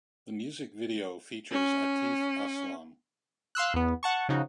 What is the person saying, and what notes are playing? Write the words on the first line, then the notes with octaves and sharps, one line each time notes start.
The music video features Atif Aslam.
C#4
F5 C6 E6 F#6
E2 B3
F#5 A5 C#6
C#3 F3 D#4 F#4